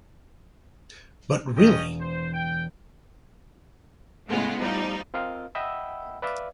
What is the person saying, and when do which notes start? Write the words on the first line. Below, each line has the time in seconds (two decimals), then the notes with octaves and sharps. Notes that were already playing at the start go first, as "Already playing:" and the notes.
But really?
1.56 E1 C#4 D#5 G5
1.99 C5
2.33 G5
4.27 A2 C#3 G#3 B3 F4
4.60 F3 G3 D#4
5.14 C4 F4 A#4 D#5 F5
5.55 D#5 E5 F#5 G5 B5 E6
6.22 B4 D5 E5 F5